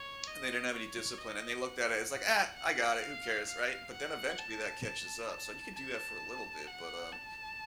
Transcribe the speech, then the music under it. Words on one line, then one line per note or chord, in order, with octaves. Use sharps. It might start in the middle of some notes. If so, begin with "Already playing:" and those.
And they didn't have any discipline and they looked at it it's like, "Ah, I got it, who cares," right? But then eventually that catches up so you could do that for a little bit, but um
Already playing: C#5
D#5
C#5
D#5
F#5
F#5
F#5
F5
F5
F#5
A5
A5
A5
A5
F#5
A5